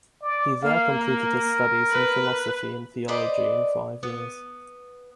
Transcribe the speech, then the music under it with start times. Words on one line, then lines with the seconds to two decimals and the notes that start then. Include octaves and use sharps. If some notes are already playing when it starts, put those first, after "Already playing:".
He there completed his studies in philosophy and theology in five years.
0.22 D5
0.62 A#3 F5
0.98 A#4
1.90 B4
3.08 B4 C5 D5 D#5
4.03 B3